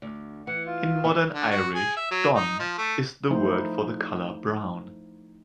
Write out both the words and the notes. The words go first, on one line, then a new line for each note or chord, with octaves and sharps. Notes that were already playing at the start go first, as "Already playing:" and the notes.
In modern Irish, "donn" is the word for the colour brown.
D2
E3 F#5
F4
E2 B3 D#4
D3
F#4
G#4
E5
F#3
D#4
F3
A3
F3 A3 D#4 E4 C5